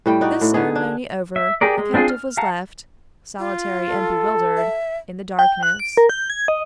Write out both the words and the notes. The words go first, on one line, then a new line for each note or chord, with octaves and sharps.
This ceremony over, the captive was left, solitary and bewildered, in the darkness.
A2 G3 G5
D#4 F#4 D5
A2
D3 D#4 G#4
D4
E5
G4 G#4 A#4 D5
G#3
C4 D4 F4 G#4
F6
F5 F#5 A5 A#5 F6
F4
A4
E5
G5
F#6
D7
A#4
G6
G#6
D#5